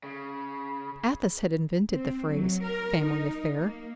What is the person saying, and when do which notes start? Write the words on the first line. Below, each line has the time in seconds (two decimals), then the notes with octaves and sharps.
Athos had invented the phrase, family affair.
0.03 C#3
1.92 C4
2.29 F#3
2.63 A#4
3.03 D#4
3.61 A#3